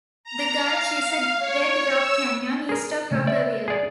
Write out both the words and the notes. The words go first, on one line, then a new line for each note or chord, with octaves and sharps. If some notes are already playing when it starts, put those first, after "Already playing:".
The gulch is a red rock canyon east of Rockerville.
A#5
F5
F5
C#5
E6
G#4 A#4
C#3 A3
D5 E5
G#4 D5